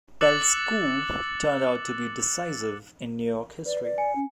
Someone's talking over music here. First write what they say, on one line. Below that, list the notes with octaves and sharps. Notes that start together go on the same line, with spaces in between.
Pell's coup turned out to be decisive in New York history.
D6 E6 F#6 A6 C#7 F#7
B4 D5
D5
G#5 C#7
C#4